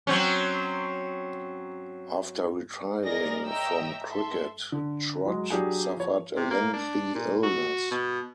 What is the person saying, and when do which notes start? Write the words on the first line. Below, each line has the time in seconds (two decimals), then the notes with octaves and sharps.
After retiring from cricket, Trott suffered a lengthy illness.
0.07 F#3 C4 C#4
3.03 G#4 A#4 D5 D#5 A#6
3.46 C#5 D#5 E5 G5 A#5 E6
4.10 A4 E5 C6
4.72 D3
5.25 F#3 G#3
5.50 F#3 D4 G4 G#4
5.97 F3 C#5
6.37 C3
6.51 A#3
6.73 D4
7.15 A#2
7.43 F#4
7.92 B2